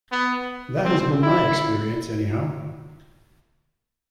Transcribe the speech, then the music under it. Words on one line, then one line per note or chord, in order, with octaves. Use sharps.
That has been my experience anyhow.
B3
C4
E4